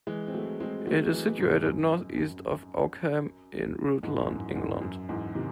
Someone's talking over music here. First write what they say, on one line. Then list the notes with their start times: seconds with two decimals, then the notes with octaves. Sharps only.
It is situated north east of Oakham, in Rutland, England.
0.07 E3 G#3
0.28 C4
0.34 F#3 A3
0.60 G#3 C4
0.87 F#3 A3
1.12 E3 G#3
1.38 G#2 C3
1.65 F#2
2.18 F#2
4.03 E2 G#2
4.29 F#2 A2
4.55 E2 G#2
4.82 F#2
5.09 E2 G#2
5.35 C3 D#3